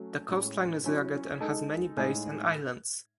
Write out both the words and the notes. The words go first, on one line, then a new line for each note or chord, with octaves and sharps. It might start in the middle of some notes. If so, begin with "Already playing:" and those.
The coastline is rugged and has many bays and islands.
Already playing: F#3 A3 C#4
A2 G#3 C#4
F#3 C#4 E4
G#3 D#4 A4
A2 G#3 D#4 G#4